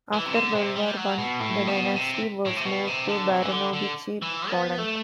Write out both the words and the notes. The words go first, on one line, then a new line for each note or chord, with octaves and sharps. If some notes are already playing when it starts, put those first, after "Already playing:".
After World War One, the dynasty was moved to Baranovichi, Poland.
E3
C3
D3
C3
G3
F#3
B2
A2
B2
C3
A2
C3
B2
C3
D3
C3
E3
D3
D3
E3
B3
A3